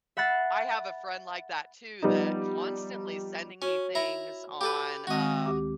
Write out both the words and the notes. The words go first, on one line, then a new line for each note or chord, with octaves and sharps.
I have a friend like that too that constantly sending me things on, um,
E5 F#5 B5 F#6 A6 C7
F3 G3 B3 D#4
C#4 F#4 C#5
E4 A#5
G4 A4 B4
D#3 G#3 C4 F#4 D#5
D2 G4 D6